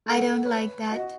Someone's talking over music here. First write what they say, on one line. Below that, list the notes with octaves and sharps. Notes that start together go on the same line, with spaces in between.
I don't like that.
A3 F#5
B4 C#5
F#4 D#5